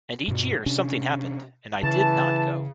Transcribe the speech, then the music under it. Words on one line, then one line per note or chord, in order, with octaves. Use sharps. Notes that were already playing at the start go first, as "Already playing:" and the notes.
And each year something happened, and I did not go.
G2 B2
C3 C#4 D4
C#3 E3 A5